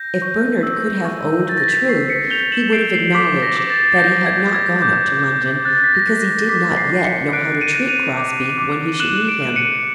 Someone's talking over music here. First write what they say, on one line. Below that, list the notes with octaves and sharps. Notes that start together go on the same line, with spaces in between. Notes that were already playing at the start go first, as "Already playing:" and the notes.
If Bernard could have owned the truth, he would have acknowledged that he had not gone up to London, because he did not yet know how to treat Crosbie when he should meet him.
Already playing: G6 A#6
C#6
E6
C#6
G6 A6
A#6
B6
C#6 C7
B6 C#7
G6 F7 G7
E7 F#7
G6 C7 D7
C7
D6 B6
A#6
D6
A6
G6 A#6
G#6
G6
G#6
D6 G6
D6 G#6
F#6 A6
B6
A#6
F#6
A#6
D6 B6
C7
D6
B6 C#7
F#6 C7 D7
C#7 D#7
F#6
D#7 F7
D6
D6
F#6 E7 F#7
D7 E7
F#6
C#7 D#7